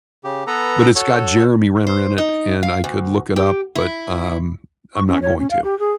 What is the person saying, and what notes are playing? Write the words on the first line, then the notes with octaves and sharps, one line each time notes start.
but it's got Jeremy Renner in it, and I could look it up, but, um, I'm not going to.
C#3 G4
B3 A4 B4 A#5
F#4 A4 C#5
C5
D#4
F5
D2
G4
E4
C#6
C#4
C#5
C#4
F5
G4
G#4